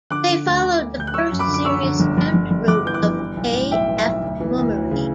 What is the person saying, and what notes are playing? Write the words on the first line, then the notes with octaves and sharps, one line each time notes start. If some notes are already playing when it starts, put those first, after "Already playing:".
They followed the first serious attempt route of A F Mummery.
D3 D6 F#6
D3
D2
D3
D2
D2 G6
F#6
F#3 C#6 E6
F#2
B5 D6
D3
D6
F#3 C#6 E6
D3
G1
G1
G1
G1
G1 D6 F#6
E3 G6
D6 F#6
G1
E3
B1
A2
B1 E5 G5
E3
E5
B1
D2
E3
D2
D2
C#3